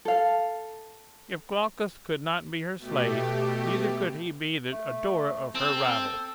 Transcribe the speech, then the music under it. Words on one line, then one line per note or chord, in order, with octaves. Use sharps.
If Glaucus could not be her slave, neither could he be the adorer of her rival.
A4 F5
B2 A3 G4
A3
C4 A4